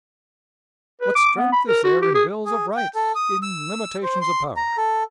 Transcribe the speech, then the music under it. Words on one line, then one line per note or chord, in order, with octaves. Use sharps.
What strength is there in bills of rights--in limitations of power?
B4
D6
B3
B5
A#4
F#4
G4
G#4
G#4
G5
A4
D#6
E6
C5
C6
A#5
A4